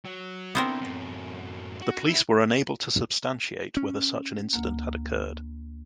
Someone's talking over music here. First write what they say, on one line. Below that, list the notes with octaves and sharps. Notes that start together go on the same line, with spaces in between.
The police were unable to substantiate whether such an incident had occurred.
F#3
D3 E3 B3 C4 A#4
F#2 A2
F#4
E4 E5
C#4
D2 A#3